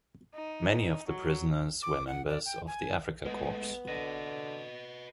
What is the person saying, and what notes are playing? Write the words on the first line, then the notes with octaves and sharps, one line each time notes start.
Many of the prisoners were members of the Afrika Korps.
D#4
F#3
D6
F#5
D5
G5
G#5
G#3 A3 B3
D3 B4 D#5